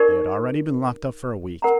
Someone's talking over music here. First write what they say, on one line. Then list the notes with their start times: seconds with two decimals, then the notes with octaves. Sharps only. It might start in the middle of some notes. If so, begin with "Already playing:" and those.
They had already been locked up for a week.
Already playing: D#4 G4 A#4 D5
1.62 A#4 F#5 A#5